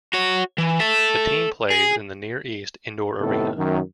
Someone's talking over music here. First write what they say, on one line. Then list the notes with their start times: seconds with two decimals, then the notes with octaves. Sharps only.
The team plays in the Near East Indoor Arena.
0.13 F#4 C#5
0.58 E3
0.80 A4 E5
1.70 G#4
3.20 A2 C3 D#3 B3 A4
3.57 F#2 D#3